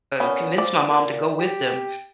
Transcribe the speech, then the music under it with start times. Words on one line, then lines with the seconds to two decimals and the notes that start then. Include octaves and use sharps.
uh, convince my mom to go with them,
0.20 A#2 B3 C#4
0.58 F3 D5
0.90 A#2
1.39 G4